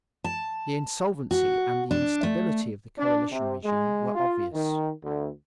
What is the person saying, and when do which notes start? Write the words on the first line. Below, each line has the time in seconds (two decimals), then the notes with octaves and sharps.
The insolvency and the instability of the coalition regime were obvious.
0.24 A5
1.31 F#4
1.91 D4
2.23 A3
2.98 D4
3.31 C3
3.64 G#3
4.15 F4
4.53 D#3
5.03 D2